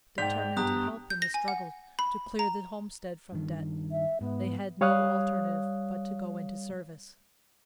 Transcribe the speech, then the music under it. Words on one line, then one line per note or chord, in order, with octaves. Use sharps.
Determined to help in the struggle to clear the homestead from debt, they had no alternative but to go into service.
G#2 D5 G5 G6 B6 F7
G2 B3 G4 A#5 D#6 F#6
G6
A#6
G#5
F#5
B5
A#5
G2 D#3
E5
G#2 B3
G3 C#5 F5 D#6 F#6